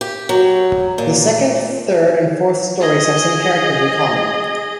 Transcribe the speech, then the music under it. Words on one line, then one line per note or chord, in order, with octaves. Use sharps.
The second, third and fourth stories have some characters in common.
G4
F#3
A#2
G#4 D#5